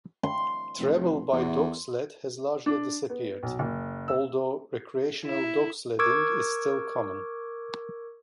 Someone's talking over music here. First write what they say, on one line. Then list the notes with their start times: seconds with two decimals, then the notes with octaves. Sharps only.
Travel by dog sled has largely disappeared, although recreational dog-sledding is still common.
0.23 C6
0.79 F1
1.33 E2
2.66 D4
3.10 B3
3.43 B1
3.59 F#1
4.08 E6
5.25 E4
5.99 A#4 C#6 D6 E6 G#6 D7